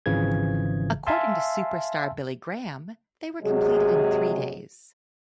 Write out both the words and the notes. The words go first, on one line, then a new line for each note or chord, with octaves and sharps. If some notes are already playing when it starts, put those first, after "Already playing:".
According to Superstar Billy Graham, they were completed in three days.
G#1 C#3 E3 F3 G#4 G#6
E5 F5 G#5 A5 C6 E6
C3 F#3 G#3 G#4